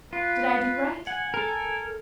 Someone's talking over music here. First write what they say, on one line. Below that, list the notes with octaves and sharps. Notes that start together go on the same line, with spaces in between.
Did I do right?
F4 B4
F#5 G#5
A4 A#4